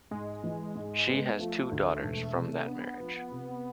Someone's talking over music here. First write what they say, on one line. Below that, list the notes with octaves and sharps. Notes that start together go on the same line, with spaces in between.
She has two daughters from that marriage.
G#2 G#3
E3
G#2
B3
F3 A3
D2
E1
C3
B3 D4
F3
C3